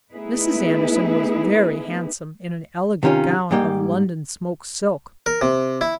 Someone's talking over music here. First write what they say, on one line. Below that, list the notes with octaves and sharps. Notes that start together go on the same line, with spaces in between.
Mrs. Anderson was very handsome in an elegant gown of London-smoke silk.
A3 B3 D#4 E4 G#4 B4
C3 D#3 C#4 F4 C6
G#2 G3 A#3 G4 G5
A#4
C3
E4